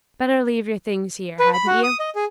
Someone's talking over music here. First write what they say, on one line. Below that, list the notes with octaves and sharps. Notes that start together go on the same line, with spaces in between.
Better leave your things here, hadn't you?
B4
B5
F#4
D#6
D#5
G#4